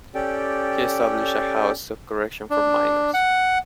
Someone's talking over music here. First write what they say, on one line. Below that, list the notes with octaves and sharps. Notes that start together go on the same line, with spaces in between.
He established a house of correction for minors.
C#4 G4 A4 D5 G5
D4
F#5